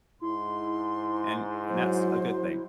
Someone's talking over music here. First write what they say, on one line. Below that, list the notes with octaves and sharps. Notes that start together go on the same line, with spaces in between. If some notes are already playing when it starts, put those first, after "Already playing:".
and and that's a good thing.
G#2 E4 C6
F#3 C5